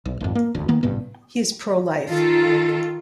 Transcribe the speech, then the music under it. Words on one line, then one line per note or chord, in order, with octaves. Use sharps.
He is pro-life.
B1
G#1 F2
A#3
E1 D2
D#3 A#3 B3
A1 G2 C3 B3
D#3 F4 A4